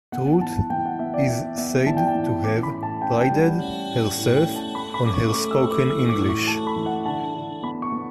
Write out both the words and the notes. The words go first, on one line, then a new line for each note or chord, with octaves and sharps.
Truth is said to have prided herself on her spoken English.
B3 F#5
E3 A5
E3 G5
F#5
B3 E5
D5
B3 E5
B3 E5
E3 A5
G5
A5
E3
C#4 D6
B5
A2
A5
C#4 G5
G5
G3
F#5
C#4
A2
A2
G5
C#4
A5
A3 B5
B5
C#4 D6
C#6
C#6
A3 D6
E6
A3
D6
E3 E6
D6
A2 D6
C#6
A3 A5
B5
E3
F#5
D3 A5
D3
B3 B5
C#6
B3